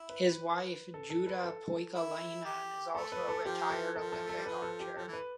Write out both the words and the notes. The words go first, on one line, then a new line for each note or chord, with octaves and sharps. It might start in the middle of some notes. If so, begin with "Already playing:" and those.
His wife Jutta Poikolainen is also a retired Olympic archer.
Already playing: E4
B4
B4
A4
A4
B4
A4
E4
G4
A3 A4
B4
A4
F3 G4
A4
F3 A4
A4
A3 A4
G3
F3 B4
A4
G4
F3 A4
E3
B4